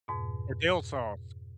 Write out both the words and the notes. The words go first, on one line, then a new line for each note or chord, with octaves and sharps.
or dill sauce.
F2 G#2 B2